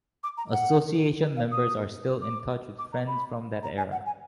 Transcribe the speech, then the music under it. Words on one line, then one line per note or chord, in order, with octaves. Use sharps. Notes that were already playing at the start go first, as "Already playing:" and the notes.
Association members are still in touch with friends from that era.
D6
A#5
F#5
F5
D#6
D6
D6
A#5
B5
A#5
G#5
F#5
G#5